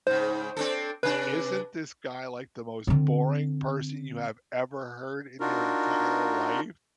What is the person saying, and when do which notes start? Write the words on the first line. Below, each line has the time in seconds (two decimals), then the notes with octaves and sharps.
"Isn't this guy like the most boring person you have ever heard in your entire life?
0.07 G#2 C#3 C5
0.57 C4 D4 A4
1.03 C3 D4 B4
2.87 D3 C4
5.40 D4 D#4 F4 F#4 A#4